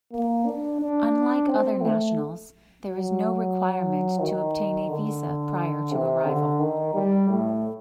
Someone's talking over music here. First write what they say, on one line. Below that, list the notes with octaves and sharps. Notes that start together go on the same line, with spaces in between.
Unlike other nationals, there is no requirement to obtain a visa prior to arrival.
A#3
D4
D4
C4
A3
F#3
D#3
D3
C3
D3
D#3
G3
A2